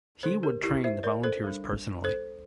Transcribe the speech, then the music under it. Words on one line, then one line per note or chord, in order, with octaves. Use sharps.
He would train the volunteers personally.
D3 A3 D4 A4 C5
G4 A#4
E4 G4
C5 E5
A#4 D5
A4 C5
G3 D4
A4 C5